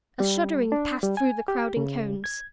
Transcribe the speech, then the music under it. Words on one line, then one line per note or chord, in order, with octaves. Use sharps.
A shuddering passed through the crowding cones.
G3
D4
G3
G#5
G4
C#3
G#6